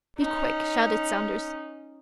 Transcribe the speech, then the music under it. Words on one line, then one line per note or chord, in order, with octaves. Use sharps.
"Be quick!" shouted Saunders.
C#4 D#4